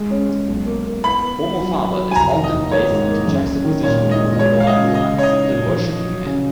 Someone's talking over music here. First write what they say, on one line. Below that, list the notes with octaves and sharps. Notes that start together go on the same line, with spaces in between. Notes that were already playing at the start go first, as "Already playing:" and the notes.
"Homo faber" is often placed in juxtaposition to "homo adorans", the worshiping man.
Already playing: G#3
C#4
G#3
B1
A#3
A#3
B3 B5
B3
D#3
F#3
F#3
F#3
G#5
F1 A#5
D#3
D#5
D#2
A#3 C#5
G#2
A#3
F#2
F#1
D#3
A#2 C#5
G#3
D#5
A#2
G#3 C#5
G#3 F5
D#5
C#3
G#3 D#5
C#3
C#5
D#5
D#4
A#2
F3
F3
F#3
C#3